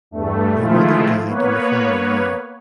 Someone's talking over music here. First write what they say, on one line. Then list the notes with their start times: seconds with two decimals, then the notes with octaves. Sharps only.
Their mother died in the following year.
0.11 E2 G2 A3
0.59 D#3 F3 G#3 A3 E4 F4
1.25 A#3 B3 B4 C#5